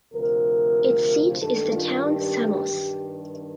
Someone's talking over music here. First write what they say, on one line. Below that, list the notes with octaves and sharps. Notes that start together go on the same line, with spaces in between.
Its seat is the town Samos.
D2 C3 F3 A#4
G2 D#3 A4
F4
G4
G2 D#3